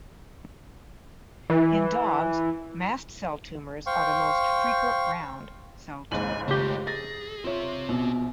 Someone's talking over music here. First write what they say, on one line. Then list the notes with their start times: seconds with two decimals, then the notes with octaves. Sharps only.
In dogs, mast cell tumors are the most frequent round cell tumor.
1.50 E3
3.86 C5 F5 G5 C#6
6.12 F#1 D#2 G#2 G#5 F#7
6.48 C#3 A3 F4 G4
6.87 G#4 A6 A#6
7.44 C4 F4 C#5 E5
7.89 A#1 B2